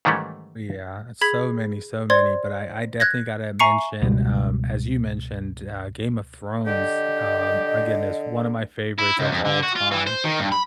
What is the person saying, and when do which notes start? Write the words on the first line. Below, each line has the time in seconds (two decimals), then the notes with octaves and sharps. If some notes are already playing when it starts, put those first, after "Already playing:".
Ooh yeah it's so many, so many, but I I definitely gotta mention, um, as you mentioned, uh, Game of Thrones, um, my goodness, one of my favorites of all time.
0.05 G#2 D#3 E3 G3 A3 C#4
1.21 G#4 B5 G#6 B6
2.10 C5 D5 C6 G#6
3.00 F#6 G#6 A#6
3.60 E5 G#5 A#5 C#6 C7 C#7
4.02 C#2 B2 G3 G#3
6.66 D3 G4 D#5
8.99 E4
9.20 C#2
9.32 F2
9.46 D3
9.63 F#4
9.76 F4
9.92 E3
10.07 C5
10.24 D#3
10.39 G2
10.52 B5